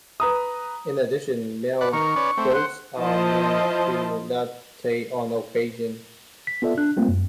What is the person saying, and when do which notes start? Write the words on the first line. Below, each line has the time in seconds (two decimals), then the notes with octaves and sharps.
In addition, male goats are known to lactate on occasion.
0.20 B4 A#5 D#6
1.81 D5 F#5 B5
1.93 D#3 A#4 C#6
2.16 C#4 B4 D5
2.37 A3 C4
2.54 C5 F#5
2.98 F3 E4 F4 C5 D#5 A5
6.47 B6
6.62 B3 F4 A4 D5 E5
6.77 D4 F#6
6.97 G3 A3 A#3 C4 F4
7.08 F#2